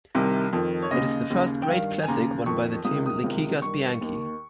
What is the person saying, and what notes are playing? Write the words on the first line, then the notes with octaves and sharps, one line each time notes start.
It is the first great classic won by the team Liquigas-Bianchi.
C2 C3 D#3
F2 D#3
C#5
D#2 C#3 D#5
D#2 C#3
G5
G2 D#3 F5
G#5
D#2 C#3 A#5
F2 D#3 C#6
C#2 C3 D#3 D#6
D#6
C#2 C3 D#3
G2 D#3 C#6
D#2 D#3